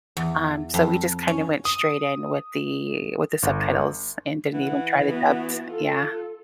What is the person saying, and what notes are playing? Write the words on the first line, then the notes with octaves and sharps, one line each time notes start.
um, so we just kinda went straight in with the with the subtitles and didn't even try the dubbed. Yeah.
E2
F2
C#4
D#6
G1
E3 F#5
B3 F#4
F4 A4